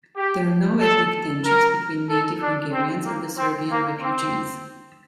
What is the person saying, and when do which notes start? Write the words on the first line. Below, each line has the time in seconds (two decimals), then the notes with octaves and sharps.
There are no ethnic tensions between native Hungarians and the Serbian refugees.
0.17 G4
0.81 A4
1.45 A#4
2.09 A4
2.42 D4
2.73 C4
3.05 A#3
3.37 C4
3.70 A#3
4.01 C4